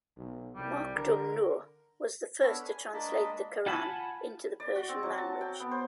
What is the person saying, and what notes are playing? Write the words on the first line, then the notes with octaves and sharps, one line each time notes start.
Makhdoom Nooh was the first to translate the Quran into the Persian language.
B1
C2 G3
D3 A#4
B3 D4 A4 C#5 B5 F6
G#5
G#3 A#3 D4 D#5 A5 B5
F4 F#5 G#5 A5 B5
D5
F#4
C4
F#3
A5
G5
B3
C5